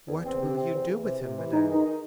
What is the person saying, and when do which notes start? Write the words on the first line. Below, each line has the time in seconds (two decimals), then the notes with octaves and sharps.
"What will you do with him, madame?"
0.08 E2
0.25 C4
0.41 C3
0.57 C4
0.73 E2
0.88 E3
1.04 C3
1.20 C3
1.37 E3
1.53 G#3 D#4
1.69 D#3 D#4
1.85 D#4